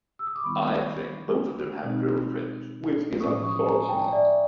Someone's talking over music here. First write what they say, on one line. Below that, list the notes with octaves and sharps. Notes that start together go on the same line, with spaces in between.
I think both of them have girlfriends, which is unfortunate.
E6
D#6
D6
D#3 G3 B3 E4 B5 C#6
B2 G#3 C4 D#4
A2 F3 G#3 C#4 E4 C#6 D#6
C#6 D#6
G#5 A#5
G5 A5
D5 E5